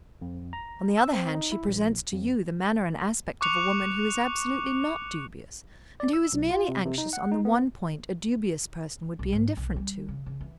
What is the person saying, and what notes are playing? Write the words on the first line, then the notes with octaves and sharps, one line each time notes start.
On the other hand, she presents to you the manner and aspect of a woman who is absolutely not dubious, and who is merely anxious on the one point a dubious person would be indifferent to.
F2
A#5
E6
C4
D#4
E4
A#1
F2
C#6 D6 F#6 C#7 F7
D5
E6
B1
F4
C3
C3
D#4
F#5
D#4
B3
B1
G#2
B1
G3
C#3
C#3
E3